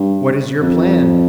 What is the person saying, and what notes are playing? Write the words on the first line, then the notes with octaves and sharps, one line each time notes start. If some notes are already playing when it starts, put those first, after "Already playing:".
"What is your plan?"
Already playing: G2
F2